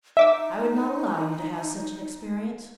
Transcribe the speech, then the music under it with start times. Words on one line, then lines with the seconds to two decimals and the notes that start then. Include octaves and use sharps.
I would not allow you to have such an experience.
0.17 D#4 E5 D6 E6